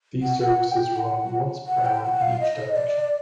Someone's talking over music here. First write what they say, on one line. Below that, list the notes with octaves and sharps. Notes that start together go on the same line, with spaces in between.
These services run once per hour in each direction.
F#5
F#5
G5
F#5
F#5
G5
F#5
F5
D#5
D5